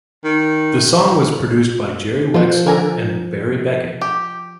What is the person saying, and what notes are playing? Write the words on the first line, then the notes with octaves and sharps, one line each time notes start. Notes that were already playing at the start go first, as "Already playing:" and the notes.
The song was produced by Jerry Wexler and Barry Beckett.
D#3
F3 F4 C5
A#4 G#5 A#5
G4